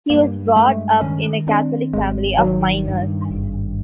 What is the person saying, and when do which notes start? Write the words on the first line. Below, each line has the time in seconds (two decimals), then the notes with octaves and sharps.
He was brought up in a Catholic family of miners.
0.10 G2 A#3
0.56 G#3 A3
1.01 D#3 C#4
1.47 C4 D4
1.93 G#1 G#3
2.38 D#3 F#3
2.85 G2
3.30 G#1